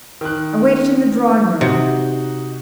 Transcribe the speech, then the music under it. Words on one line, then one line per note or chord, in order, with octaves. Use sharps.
I waited in the drawing-room.
D#3 F#6
C3 D#4 F#4